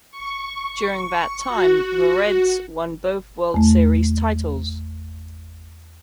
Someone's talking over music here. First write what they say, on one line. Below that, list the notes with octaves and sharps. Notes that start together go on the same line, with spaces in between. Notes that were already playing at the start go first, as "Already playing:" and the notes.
During that time, the Reds won both World Series titles.
C#6
F#4
E2 A3